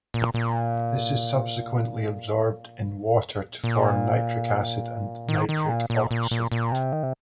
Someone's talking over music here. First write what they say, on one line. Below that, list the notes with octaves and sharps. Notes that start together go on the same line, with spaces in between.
This is subsequently absorbed in water to form nitric acid and nitric oxide.
A#2
A#2
A#2
D#3
D#3
A#2
A#2
A#2
A#2
A#2
C3
D#3
C3